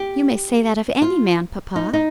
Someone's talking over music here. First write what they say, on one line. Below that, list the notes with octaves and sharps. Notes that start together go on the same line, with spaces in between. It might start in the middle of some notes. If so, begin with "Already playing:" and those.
"You may say that of any man, papa."
Already playing: G4
F4
D#4
D#4